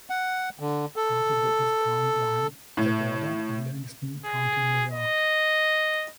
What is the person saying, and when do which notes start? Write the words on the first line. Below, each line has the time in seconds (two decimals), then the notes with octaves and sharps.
Part of the east town line is the border of Livingston County, New York.
0.10 F#5
0.59 D3
0.96 A4
2.77 A2
4.26 G#4
4.91 D#5